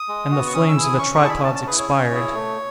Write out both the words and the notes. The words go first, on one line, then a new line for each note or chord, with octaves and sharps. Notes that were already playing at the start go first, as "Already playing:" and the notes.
And the flames of the tripods expired.
Already playing: D#6
G#3
B3 F#4
C#6
C#4 D#6
E6
E4 G#4
D#6
C#4 C#6
C#6
E4 G#4 A5
B5
C#4 A5
A5
E4 G#4 B4
C#5
C#4 C#5
E4 G#4
A3